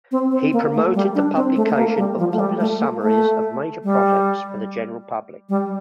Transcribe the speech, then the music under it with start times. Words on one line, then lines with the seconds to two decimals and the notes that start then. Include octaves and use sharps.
He promoted the publication of popular summaries of major projects for the general public.
0.12 C4
0.32 C4
0.52 A#3
0.74 A3
0.94 G3
1.15 D4
1.36 C4
1.56 A3
1.69 A3
1.77 A#3
1.97 G3
2.19 F3
2.33 A3
2.39 G3
2.60 A3
2.80 A#3
3.01 A3
3.84 G3
5.49 G3